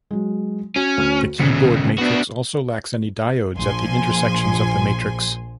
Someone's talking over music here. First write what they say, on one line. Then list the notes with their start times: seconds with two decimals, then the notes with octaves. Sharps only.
The keyboard matrix also lacks any diodes at the intersections of the matrix.
0.11 F#3 G#3
0.76 C#4 F#4
0.97 D2 F6
1.39 D#1 E2 C#3 B6 C#7
1.98 B3 D4 F#4
3.58 A#1 F3 G#5 C6